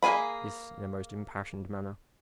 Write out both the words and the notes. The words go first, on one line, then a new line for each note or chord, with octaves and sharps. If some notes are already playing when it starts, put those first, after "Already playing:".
This in a most impassioned manner.
A#3 G#4 G#5 B5